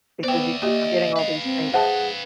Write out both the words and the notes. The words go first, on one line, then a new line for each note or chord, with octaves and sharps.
Because you keep forgetting all these things.
B3 C5 D5 E5 G5
A#3 G4 D#5
B4 F5
C4
G#4 C5 E5 F#5 A5